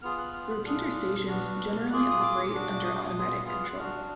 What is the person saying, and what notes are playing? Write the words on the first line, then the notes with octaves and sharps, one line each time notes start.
Repeater stations generally operate under automatic control.
B3 F4 G#4 F6
F#6
F6
F#6
D4 F4 G#4 F6
B3 D4 F#4 F6
A#3 F4 G#4 F#6
D#6
D6
D4 F#4
D#6
D6
D#6
B3 F4 G#4
F6
F#6
D4 F#4 F6